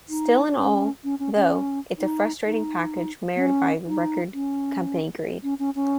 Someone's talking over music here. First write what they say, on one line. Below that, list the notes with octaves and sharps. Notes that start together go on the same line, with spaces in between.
Still and all, though, it's a frustrating package marred by record company greed.
D#4
C#4
C#4
C#4
C#4
D#4
D#4
B3
C#4
D#4
C#4
C#4
C#4
C#4